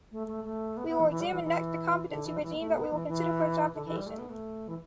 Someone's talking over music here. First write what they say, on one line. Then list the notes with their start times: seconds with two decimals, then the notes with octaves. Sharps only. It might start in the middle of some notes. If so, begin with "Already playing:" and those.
We will examine next the competency regime that we will consider for its application.
0.12 A3
0.27 A3
0.44 A3
0.77 B3
0.88 B3
1.00 E3
1.10 E3
1.21 G3
1.33 E3
1.43 E3
2.09 D3
2.25 E3
2.37 G3
2.42 E3
2.54 B3
2.59 A3
2.74 B3
2.92 E3
3.08 E3
3.74 D3
3.85 E3
3.97 G3
4.07 A3
4.19 B3
4.30 A3
4.68 E3